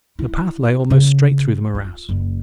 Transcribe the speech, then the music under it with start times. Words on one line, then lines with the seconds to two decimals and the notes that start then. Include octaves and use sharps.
The path lay almost straight through the morass.
0.19 E4
0.90 C#3
1.75 F4
2.09 F#1